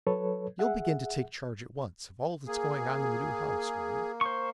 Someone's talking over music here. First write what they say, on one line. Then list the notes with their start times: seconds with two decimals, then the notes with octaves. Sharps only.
You'll begin to take charge at once, of all that's going on in the new house, will you?'
0.07 F#3 A4 B4 C#5
0.59 G#4 E5 F#5
2.47 A#3 G#4
4.21 C5 C#6